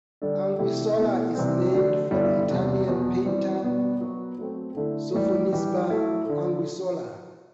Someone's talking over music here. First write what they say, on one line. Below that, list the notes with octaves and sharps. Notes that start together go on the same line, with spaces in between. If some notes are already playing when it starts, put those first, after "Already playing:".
Anguissola is named for the Italian painter Sofonisba Anguissola.
D3 G3 D4 A4
C3 E3 A3 E4 G4
B2 A3 E4 A4
C3 E3 G3 C4
D3 A3 D4 A4
G2 D3 G3 B3 E4
E2 C3 G3 D4
E2 B2 F#3
E3 G3 C4
B2 G3 B3 D4 F#4
F#3 B3 F#4 B4
F#3 A3 C4
D3 A3 E4
A2 E3 G3
E3 G3 D4 G4
F#3 A3 E4 A4
D3